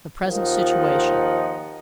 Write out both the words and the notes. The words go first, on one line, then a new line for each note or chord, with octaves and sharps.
The Present Situation.
D#2 A#2 D#3 F3 D#4 F#5